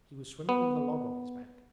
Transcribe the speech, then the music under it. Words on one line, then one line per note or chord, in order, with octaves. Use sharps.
'He was swimming with a log on his back.
B3